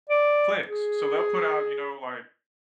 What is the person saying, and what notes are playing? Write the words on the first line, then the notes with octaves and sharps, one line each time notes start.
clicks, so, they'll put out, you know, like,
D5
G#4